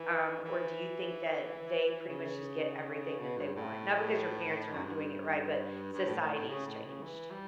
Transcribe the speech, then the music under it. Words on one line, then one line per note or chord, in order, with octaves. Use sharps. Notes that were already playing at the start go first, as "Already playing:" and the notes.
Um, or do you think that they pretty much just get everything that they want? Not because your parents are not doing it right, but society's changed.
Already playing: E3
E3
C#3
B2
G2
A2
F#2
G2
G2
A2
A2
A2
C#3
A2
C#3
E3
G3